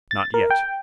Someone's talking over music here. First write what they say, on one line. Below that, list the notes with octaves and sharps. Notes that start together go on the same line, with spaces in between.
Not yet.
A6
A#4
G5